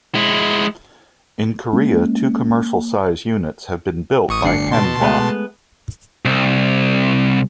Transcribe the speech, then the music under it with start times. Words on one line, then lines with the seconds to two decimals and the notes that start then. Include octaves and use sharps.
In Korea two commercial size units have been built by Hanwha.
0.15 G#3 E4
1.73 G#3 A#3 C#4
4.29 A1 C#6 D#6
4.44 G1 D2 D4 C7 C#7
4.72 B2 A5 C6
5.01 G#3 A3 B3
6.25 C2